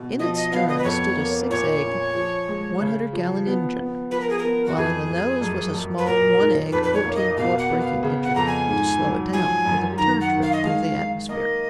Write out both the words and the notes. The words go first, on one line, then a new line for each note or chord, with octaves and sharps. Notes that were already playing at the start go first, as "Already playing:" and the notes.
In its stern stood a six-egg, one-hundred-gallon engine, while in the nose was a small, one-egg, fourteen-quart braking engine to slow it down for the return trip through the atmosphere.
Already playing: B2
F3 D#5
D#5
B3 F5
D#5
B4
F2 C#5
A#3
A#2 C#5
C#4
F3
G#3
C#3
F3
B3
B3
F3 B4
A#4
G#4
B3 A#4
F#4
F2 G#4
F2
F#2
F#2
B4
A#2 A#4
D#4
F2 B4
B4
C#5
A#3
D#5
B2 F5
F#5
B3
F5
C#3
F#5
F2 A#5
G#5
G#2
F#3
F3 G#5
F#2
D#3 A#5
F#5
D#3
F5
D#5
G#3 F5
D#4
A#3 D#5